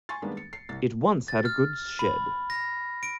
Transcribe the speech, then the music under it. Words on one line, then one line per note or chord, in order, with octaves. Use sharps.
It once had a goods shed.
G#5 C6 C#6 A6
D#3 G3 G#3 A#3 B3 D4
C#7
C7
C2 A6
A6
F6
B5
A#6
D7